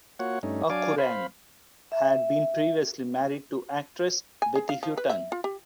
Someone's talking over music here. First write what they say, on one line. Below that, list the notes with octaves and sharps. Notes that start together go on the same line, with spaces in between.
O'Curran had been previously married to actress Betty Hutton.
A#3 F4 F#4 C#5 F#5
G2 A3 C#4 D#4
F#3 D4 D5 F5 G#5 D6
C5 F5 B5
E5
G#5
G#4
F5
F3
B4
E5
F4
G4